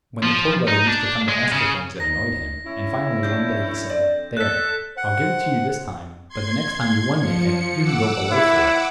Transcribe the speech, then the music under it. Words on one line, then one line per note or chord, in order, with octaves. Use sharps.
When the Poor Brother used to come to ask for things it annoyed him, and finally one day he said, "There, I'll give it to you this time, but the next time you want anything, you can go Below for it!"
F3
D#4
D4
G#3
C#3
D#4 A#6
C#4 E4
F3 D4 C5 G6
A2
C4 D5
A4 F#6 B6
C5 F#5
C6 G#6
F3 C#7
F#5 D6 E6
E4